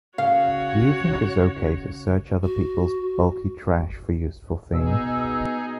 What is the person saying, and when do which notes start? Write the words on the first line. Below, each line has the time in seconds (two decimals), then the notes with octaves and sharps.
Do you think it's okay to search other people's bulky trash for useful things?
0.18 C#3 F#4 C#5 F5
2.43 F#4
4.73 B2 D#4 G#4 E6